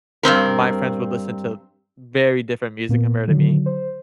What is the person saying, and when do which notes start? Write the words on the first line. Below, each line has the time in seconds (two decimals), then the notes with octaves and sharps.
my friends would listen to very different music compared to me.
0.23 G2 C3 C4 A#4
2.89 A#2 A#3 B3
3.28 D3 D#3 F#3
3.66 C5